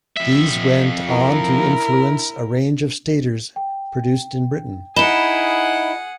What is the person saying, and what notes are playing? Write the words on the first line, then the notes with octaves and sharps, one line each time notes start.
These went on to influence a range of staters produced in Britain.
F2 E5
E4 A#4
G5
D#4 E4 G#4 F#5 B5 E7 G7